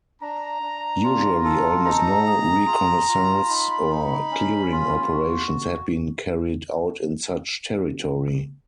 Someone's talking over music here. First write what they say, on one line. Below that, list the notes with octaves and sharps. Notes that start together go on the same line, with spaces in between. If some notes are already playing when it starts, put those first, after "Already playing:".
Usually almost no reconnaissance or clearing operations had been carried out in such territory.
D4 A#5
D4
F4
A4
D#4 A#5
G#4
F4
F4
D#4 B5
D#4
C#4
F4
F#4